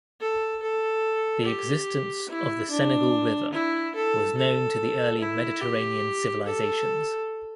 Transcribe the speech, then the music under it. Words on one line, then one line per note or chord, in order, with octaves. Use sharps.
The existence of the Senegal River was known to the early Mediterranean civilizations.
A4
A4
G4
E4
D4
E4
A4
A4
E4
G4
A4